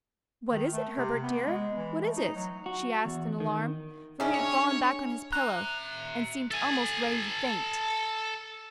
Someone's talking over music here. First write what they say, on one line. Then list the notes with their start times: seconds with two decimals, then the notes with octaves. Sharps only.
"What is it, Herbert dear, what is it?" she asked in alarm; for he had fallen back on his pillow, and seemed almost ready to faint.
0.51 D#3
0.73 A3
0.97 C3
1.23 B3
1.46 G#3
1.76 E3
2.02 A3
2.17 D#4
2.36 F#3
2.66 F#4
3.05 E2
3.40 D#3
4.20 G3 C#4 D#4 G#4 E5
4.34 D4 C#5
5.33 E5 A#5 F#6
6.51 A4 G#5